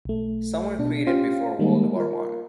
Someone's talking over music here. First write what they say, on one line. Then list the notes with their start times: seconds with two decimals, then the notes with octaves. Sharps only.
Some were created before World War One.
0.05 B1 A3
0.79 B2 D4
1.07 C#4 F4 G4 C5 F5
1.59 D#3 G3 G#3 A#3 D#4
1.96 F4 A#4